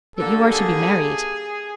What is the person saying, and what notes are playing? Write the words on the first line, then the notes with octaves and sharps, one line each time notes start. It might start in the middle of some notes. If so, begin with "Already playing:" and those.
'That you are to be married.
D3 G3 A#3 A4
G#4